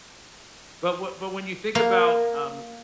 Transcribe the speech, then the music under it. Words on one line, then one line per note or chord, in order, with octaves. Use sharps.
But wh but when you think about, um,
A#3